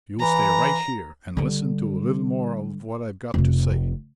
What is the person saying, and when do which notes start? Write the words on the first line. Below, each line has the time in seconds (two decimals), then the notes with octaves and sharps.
You'll stay right here and listen to a little more of what I've got to say.
0.20 E3 A#5
1.37 D3 G3
3.34 F1 C3